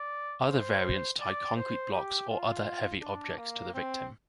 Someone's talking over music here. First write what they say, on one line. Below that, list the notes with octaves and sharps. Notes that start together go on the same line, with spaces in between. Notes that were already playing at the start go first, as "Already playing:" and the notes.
Other variants tie concrete blocks or other heavy objects to the victim.
Already playing: D5
C5
D5
C5
G4
F4
D4
A#3
C4